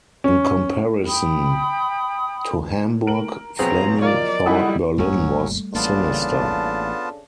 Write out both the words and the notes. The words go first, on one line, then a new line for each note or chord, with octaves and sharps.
In comparison to Hamburg, Fleming thought Berlin was "sinister".
C#4
G5 B5 D#6
A#4 D7 F#7
B2 F3 F#3 B3 C4 G#4 A#5
F4 A#4 D5 D#5
G3 D#4 E4 A4 F#5 B5 D#6
G#1 D#2 F#3 G3 A3 C#4
A1 C#3 A#3 B3 D4 F4 A4 A5